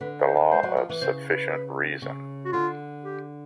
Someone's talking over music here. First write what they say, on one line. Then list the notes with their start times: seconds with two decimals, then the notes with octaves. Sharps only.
The law of sufficient reason.
0.01 D3 B4
0.26 C5
0.51 G#3 C5
0.63 F#3
0.77 F3
0.89 E3
1.01 C#3 C5
1.26 B4
2.02 C#3
2.45 F#4
2.52 D3 F4
3.04 G4